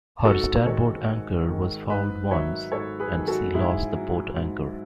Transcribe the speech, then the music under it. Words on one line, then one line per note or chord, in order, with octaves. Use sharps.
Her starboard anchor was fouled once, and she lost the port anchor.
G#2 F#4 A4
D#3 G#3 A4 C#5
G#2
D#3 G#3
G#2 B4 D#5
D#3 F#3 C#5 E5
G#2 A4 C#5
G#4 B4
D#3 F#3
F#4 A4
G#2 E4 G#4
F#3
G#2